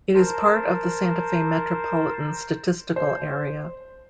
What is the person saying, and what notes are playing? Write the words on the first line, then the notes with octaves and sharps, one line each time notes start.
It is part of the Santa Fe Metropolitan Statistical Area.
A#4 C5 A5
C5